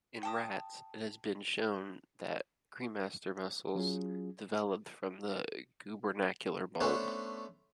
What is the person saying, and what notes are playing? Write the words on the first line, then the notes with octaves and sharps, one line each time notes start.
In rats, it has been shown that cremaster muscles developed from the gubernacular bulb.
G5 A5 D#6
F#3 C#4 F4 G#4
A3 B3 C#4 D4 C5